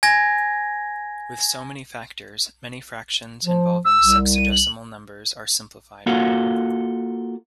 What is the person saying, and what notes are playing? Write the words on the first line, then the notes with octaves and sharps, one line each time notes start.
With so many factors, many fractions involving sexagesimal numbers are simplified.
G#5 G#6 A#6
F3
E6
C2
D#7
F#7
A#3 F4 F#4 A4 F5 F#5